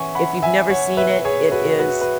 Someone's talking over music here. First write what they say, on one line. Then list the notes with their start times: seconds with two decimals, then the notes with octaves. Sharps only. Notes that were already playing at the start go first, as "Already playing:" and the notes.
if you've never seen it, it is
Already playing: E3 C#4 E5 F#5 G#5 C#6
0.15 F#5 B5
0.42 E5 G#5
0.70 C#5 F#5
0.97 B4 E5
1.25 G#4 C#5
1.51 F#4 B4
1.79 F#4 B4
2.01 B4